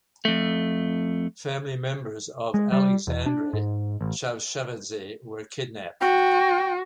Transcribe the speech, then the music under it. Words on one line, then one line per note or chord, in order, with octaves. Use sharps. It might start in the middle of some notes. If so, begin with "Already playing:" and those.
Family members of Aleksandre Chavchavadze were kidnapped.
F2 A3
G#3
G3
E2
D4
G#2
A1
F#4 G5